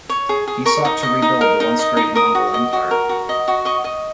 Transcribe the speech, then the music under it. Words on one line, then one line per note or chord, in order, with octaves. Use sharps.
He sought to rebuild the once great Mongol Empire.
C#5
G#4
G#4
A#4 C#6
D#4
D#5
D#4
A#4
D#4
D#5
D#4
A#4 D#6
F#4
D#5
F#4
A#4
F#4
D#5
F#4
D#5 C#6
D#5